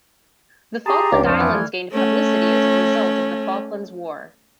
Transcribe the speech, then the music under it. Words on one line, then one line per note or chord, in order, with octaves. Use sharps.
The Falkland Islands gained publicity as a result of the Falklands War.
G4 G#4 A5 A#5 C6
C#2 C#4 D5
F2 F3 C4 D4
E3 E5 F5 G5
A3 D5 F6 G#6
A3 C#4